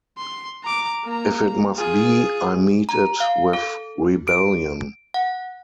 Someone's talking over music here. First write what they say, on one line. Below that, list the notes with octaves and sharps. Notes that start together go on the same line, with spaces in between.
If it must be, I meet it with rebellion.
C6
A#5 D6
A#3 A#5
F4 G#4
A#5
F5
A4
D7
F#5